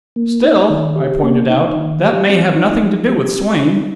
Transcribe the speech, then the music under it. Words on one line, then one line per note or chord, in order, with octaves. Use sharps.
"Still," I pointed out, "that may have nothing to do with Swain."
A#3
D#4
D#3
G4
A#3
D#4
D#3
G4
C4
D#4
F3
G4
C4
D#4